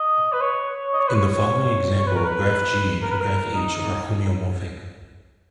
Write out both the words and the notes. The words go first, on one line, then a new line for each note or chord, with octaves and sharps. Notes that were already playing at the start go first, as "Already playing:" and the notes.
In the following example, graph G and graph H are homeomorphic.
Already playing: D#5
B4
C#5
D#5
C#5
B4
C#5
C#5
B4
A#4
B4
A#4
B4
A#4
D#4